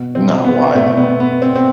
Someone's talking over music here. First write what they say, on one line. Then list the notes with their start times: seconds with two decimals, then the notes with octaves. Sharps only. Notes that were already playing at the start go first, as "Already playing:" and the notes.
Not why though
Already playing: B2
0.15 C4
0.44 B3
0.75 B2 A3
0.97 B3
1.20 B3
1.42 C4
1.56 C4